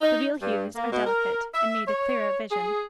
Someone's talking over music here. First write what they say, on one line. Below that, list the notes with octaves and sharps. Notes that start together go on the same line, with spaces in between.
The real hues are delicate, and need a clearer vision.
D#4
G2
A#3
B2
A#4
E5
C#5
G#4